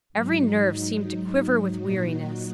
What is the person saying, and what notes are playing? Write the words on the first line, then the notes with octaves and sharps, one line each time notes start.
Every nerve seemed to quiver with weariness.
G#2 F#3 D#4
A#2 F#3 D#4 F#4